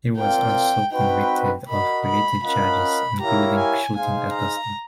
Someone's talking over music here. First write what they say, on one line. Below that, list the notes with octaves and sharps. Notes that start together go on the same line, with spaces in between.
He was also convicted of related charges, including shooting Acosta.
C4 F4 A#4 D5 F5 G5
C4 D#4 F#4 B4 G5
F#4 A#4 D#5 F#5 B5
B5
C#4 F4 A#4 D#5 F#5 B5
E4 G4 A#4 C#5 F5 A#5
G#5
D#4 G#4 C5 F5 G#5
A#5